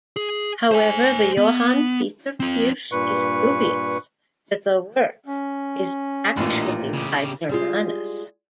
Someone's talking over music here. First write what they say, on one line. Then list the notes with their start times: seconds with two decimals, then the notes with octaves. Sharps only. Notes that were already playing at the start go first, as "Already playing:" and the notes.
However the Johann Peter Kirsch is dubious that the work is actually by Germanus.
0.16 G#4
0.71 C5 G#5
1.37 B3
2.40 C4 F4
2.92 G2 A#2 B4 C#6
5.26 C#4
6.37 A1 A#2 D4 D#4
6.93 C#3 G4
7.49 G3 G#3 F4